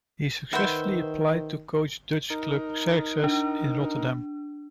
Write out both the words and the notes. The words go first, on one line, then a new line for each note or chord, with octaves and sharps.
He successfully applied to coach Dutch club Xerxes in Rotterdam.
D#3 B4 C5 E5 F#5 B5
D#4 A#4
D4